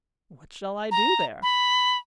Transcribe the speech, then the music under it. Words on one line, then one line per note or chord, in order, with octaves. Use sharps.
"What shall I do there?"
A#5
B5